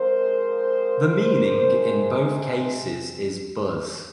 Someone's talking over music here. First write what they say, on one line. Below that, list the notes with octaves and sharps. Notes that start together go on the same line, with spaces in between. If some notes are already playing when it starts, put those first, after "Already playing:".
The meaning in both cases is "buzz".
Already playing: F3 G#3 C4 A#4 C5
C3 F3 G#3